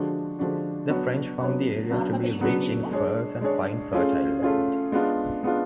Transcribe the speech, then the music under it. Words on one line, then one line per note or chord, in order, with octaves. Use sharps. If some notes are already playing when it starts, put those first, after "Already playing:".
The French found the area to be rich in furs and fine fertile land.
Already playing: D3 F3 G#3 D4 F#4
D3 F3 G#3 D4 F#4
F#3 B3 D4 F#4 C#5
F#3 B3 D4 F#4 C#5
C#3 F#3 B3 D4 F#4
C#3 F#3 B3 D4 F#4
G#3 D4 G#4 C#5
G#3 D4 G#4 C#5
A3 C#4 F4 G#4
A3 C#4 F4 G#4
G#3 B3 D4 F4
G#3 B3 D4 F4